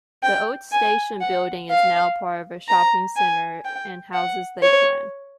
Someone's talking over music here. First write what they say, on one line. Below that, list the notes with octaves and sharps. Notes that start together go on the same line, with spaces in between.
The old station building is now part of a shopping centre and houses Lakeland.
G5
G#5
F#5
F5
A#5
G#5
G5
F#5
C#5